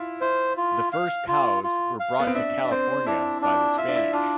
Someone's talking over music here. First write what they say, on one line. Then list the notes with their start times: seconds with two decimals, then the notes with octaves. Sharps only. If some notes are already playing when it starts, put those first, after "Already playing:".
The first cows were brought to California by the Spanish.
Already playing: E4 F4
0.21 E4 C5
0.57 F4
0.93 F5
1.28 F4
1.64 F4
2.00 F5
2.20 B3
2.27 C4
2.35 D4 E5
2.65 D4
2.71 C4 C5
3.07 D4 E4
3.42 D4 F4
3.78 F4 E5
3.88 D4
3.96 E4
4.13 D4 F4